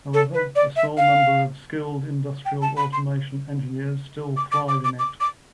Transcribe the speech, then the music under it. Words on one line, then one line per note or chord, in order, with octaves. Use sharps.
However a small number of skilled industrial automation engineers still thrive in it.
A4
B4
D5
E5
F5
G5
A5
B5
C6
D6
D6
D6
D6
D6
D6